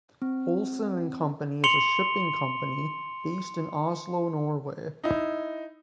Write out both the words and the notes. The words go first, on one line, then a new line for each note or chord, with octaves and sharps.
Olsen and Company is a shipping company based in Oslo, Norway.
C4
C6 C#7 F7 G7
D#4 E4